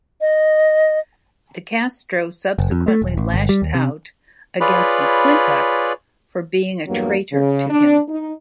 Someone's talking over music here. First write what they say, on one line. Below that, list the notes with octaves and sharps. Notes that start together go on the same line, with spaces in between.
De Castro subsequently lashed out against McClintock for being a "traitor" to him.
D#5
F#1
F2
A3
D#1
A1
G1
G3
D#2
C3
F4 G#4 B4 C#5 D5 B5
E2 G2 F#3 A#3
C#3
D4
D#4